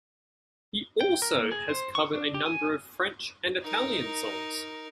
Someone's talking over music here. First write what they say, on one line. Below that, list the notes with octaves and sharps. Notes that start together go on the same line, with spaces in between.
He also has covered a number of French and Italian songs.
G5
A#4
A#3
G#4
C5
C#6
D4
G4
G#5
D#4 A#4